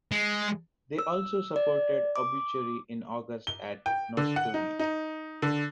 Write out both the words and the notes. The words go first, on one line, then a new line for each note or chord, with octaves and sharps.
They also supported Obituary in August at Nosturi.
G#3
E6
D5
D6
G7
G5
D3
F#5
D#4
D#4
D3